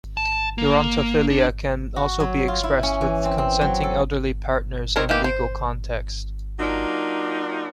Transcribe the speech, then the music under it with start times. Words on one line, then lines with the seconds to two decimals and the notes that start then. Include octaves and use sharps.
Gerontophilia can also be expressed with consenting elderly partners in a legal context.
0.17 A5
0.58 A#3
1.30 D4
1.96 F#4
2.20 F#3
2.48 F4
2.63 E4
2.83 C#4
3.01 E3
3.25 C4
3.38 C4
3.61 F#3
3.83 A4
4.96 D#3 G3 C4 A#4 C#5
5.09 D#3 E3 A#3 G4
5.24 C5
6.60 F#3 A#3 D4 D#4 F4